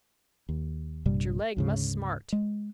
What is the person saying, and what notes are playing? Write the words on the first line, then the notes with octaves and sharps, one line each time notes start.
"But your leg must smart."
D#2
A#1 G2 C3 G3
D2 G#2 C#3
G#3